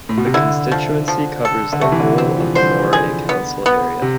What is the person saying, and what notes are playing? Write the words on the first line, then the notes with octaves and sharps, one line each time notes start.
The constituency covers the whole of the Moray council area.
A2
B2
C3
D3 E4
F3
F3
A4
D3
C3 A3
E3
D3
C4
F3
D3 C5
G#4
B3
B3
C3